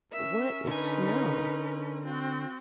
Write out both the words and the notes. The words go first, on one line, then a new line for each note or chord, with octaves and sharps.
"What is snow?"
C#4 A#4 E5
D3 D#4 B4 G#5
C4 F#4